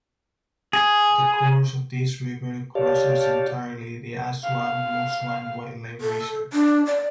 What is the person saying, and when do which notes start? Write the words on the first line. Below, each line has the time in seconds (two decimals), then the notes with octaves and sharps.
The course of this river crosses entirely the Ashuapmushuan Wildlife Reserve.
0.73 G#4
2.75 G4 C#5 D5 F5 A5
4.44 F5
6.01 A4
6.53 D4
6.86 D5